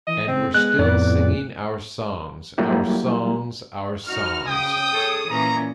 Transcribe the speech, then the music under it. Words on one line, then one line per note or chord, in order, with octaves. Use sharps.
And we're still singing our songs, our songs, our songs!
E3 D#5
C#3 C4
G#3 B3 F#6
F2 A2 B3 D5
F#3 G3 A3 A#3 E4 G4
D#4 F#4 F6
C#3 G5 D#6
G#4 A4 C#5
A#2 E3 C#4 A#5